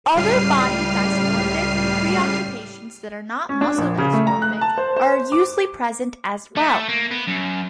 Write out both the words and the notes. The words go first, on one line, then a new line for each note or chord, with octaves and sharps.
Other body-dysmorphic preoccupations that are not muscle-dysmorphic are usually present as well.
C#2 A2 G3 F6 C7 D#7
C#4
D4
A#1
C#3
A3
A#5
F#6
A5
C5
C5
D6
A3
A#3
B3
F#2